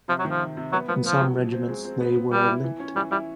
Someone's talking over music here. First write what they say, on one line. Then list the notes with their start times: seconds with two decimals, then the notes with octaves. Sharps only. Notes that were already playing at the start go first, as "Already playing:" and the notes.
In some regiments they were linked.
0.08 C3 F3
0.19 F#3
0.25 D#3
0.30 F3
0.40 C3
0.57 C3
0.72 F#3 B3
0.88 F3 B3
1.04 F3 B3
1.20 F#3
1.37 F3
1.52 C4
1.69 G#3
1.85 C4
2.01 B3
2.15 B3
2.31 G3 B3
2.48 E4
2.64 E3
2.80 C#4
2.96 E3 G3
3.11 G3 E4